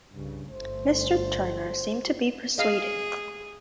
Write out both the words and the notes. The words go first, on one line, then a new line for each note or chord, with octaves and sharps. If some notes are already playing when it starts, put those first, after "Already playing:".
Mr. Turner seemed to be persuaded.
C2 G2 C#3
G1 A3 C5
G#4 D#5 F5